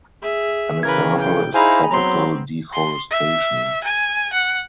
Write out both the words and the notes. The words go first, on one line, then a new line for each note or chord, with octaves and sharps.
An example is tropical deforestation.
G#4 E5
C#3 E3 A#4 B4 G#6
G5
D#4 E4 G#4 C5 F5 G#5 A#5 B5
F#3 B3 C4 A#5 C6
C6
E5
G#5
F#5